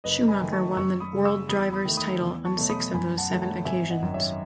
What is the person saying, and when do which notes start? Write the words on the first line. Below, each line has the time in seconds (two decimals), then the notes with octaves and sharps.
Schumacher won the world drivers' title on six of those seven occasions.
0.04 F#1 B4 D#5
0.28 G#5 B5
0.40 F#2 D#3 A3
0.52 A5 C#6
0.77 F#2 C#6 E6
1.00 B5 D#6
1.13 C#3 G#3
1.24 C#6 E6
1.49 E2 B5 D#6
1.72 B5 D#6
1.85 D#3 A3
1.97 B5 D#6
2.21 E2
2.45 A5 C#6
2.58 B2 F#3 A3
2.69 B5 D#6
2.94 F#2 G#5 B5
3.18 F#5 A5
3.30 D#3 F#3 A3
3.41 F#5 A5
3.65 G#1 E5 G#5
3.90 D#5 F#5
4.02 F#2 D#3
4.14 C#5 E5